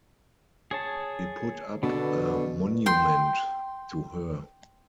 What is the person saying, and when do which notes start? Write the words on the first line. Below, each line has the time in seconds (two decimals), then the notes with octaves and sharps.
He put up a monument to her.
0.71 G#4 C#5 A5
1.83 B2 D3 B3 A4
2.86 G5 C6